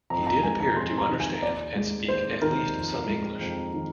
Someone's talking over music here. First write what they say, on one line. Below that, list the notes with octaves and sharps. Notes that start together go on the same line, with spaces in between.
He did appear to understand and speak at least some English.
F2 A#5
A#5
G#3 G#5
A#5
F2 C6
A#5
D#3
G#5
D#2 D5
G#3
D#2 C5
D#3 A#4
F2
G#3
F2
D#3